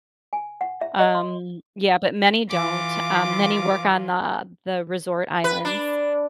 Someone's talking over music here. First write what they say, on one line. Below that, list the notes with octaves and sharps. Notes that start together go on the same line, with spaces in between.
Um, yeah, but many don't, um, many work on the the resort islands.
G#5
F#5
E5
D#5
C6
E3 F4 D6
B4
D4